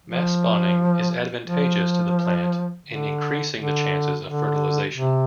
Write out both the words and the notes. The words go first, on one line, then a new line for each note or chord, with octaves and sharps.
Mass spawning is advantageous to the plant in increasing the chances of fertilisation.
F3
F3
D3
D3
D3
C3